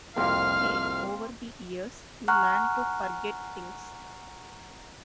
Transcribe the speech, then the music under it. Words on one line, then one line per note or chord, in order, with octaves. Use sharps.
Hey, over the years, you learn to forget things.
C2 F2 A#3 C4 F5 G5 F6
F#5 G#5 A#5 C#6 F6 F#6